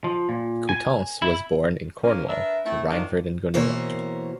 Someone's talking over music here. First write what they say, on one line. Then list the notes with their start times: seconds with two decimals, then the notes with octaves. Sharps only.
Coutances was born in Cornwall, to Reinfrid and Gonilla.
0.04 F3
0.29 A#2
0.69 G#5
1.22 E4
2.04 F3 A#3 C#4
2.28 D4 A#4 B4 E5
2.64 A3 C4 E4
2.90 D#3 F#3 C4 D4 D#4 F4
3.54 B2 E3 A#3 A#4 C5 C#5